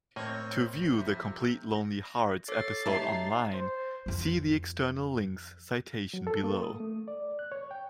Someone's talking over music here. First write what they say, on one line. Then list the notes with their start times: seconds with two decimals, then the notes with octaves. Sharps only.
To view the complete "Lonely Hearts" episode online, see the External links citation below.
0.16 A2 A#3 C4 C#5 D#5
0.93 F2 C3
1.75 A#6
2.48 A4 C#5 D6 A6 C7
2.86 D#4 G4 C#5 E5 A5 A#5
3.53 C5
4.06 F2 D#3
6.14 F#3
6.27 A4
6.44 A#3
6.63 D#6
6.80 A3
7.08 D5
7.39 F#6
7.52 C#5
7.71 G5